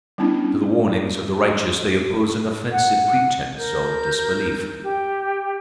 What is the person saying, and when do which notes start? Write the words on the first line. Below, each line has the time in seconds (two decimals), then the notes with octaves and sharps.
To the warnings of the righteous they oppose an offensive pretence of disbelief.
0.18 G3 B3 C#4 D4 E4
2.72 F#5
3.57 A#4 G6
4.82 G4